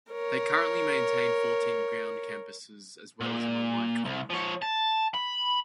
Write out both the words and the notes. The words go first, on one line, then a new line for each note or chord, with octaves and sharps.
They currently maintain fourteen ground campuses as well as an online college.
A#4 C#5
A#2
C2
F3 C#5
A5
B5